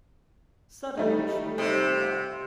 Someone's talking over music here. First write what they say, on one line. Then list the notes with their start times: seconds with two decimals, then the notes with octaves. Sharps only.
Suddenly she brightened up.
0.97 G3 A3 D#4
1.58 C3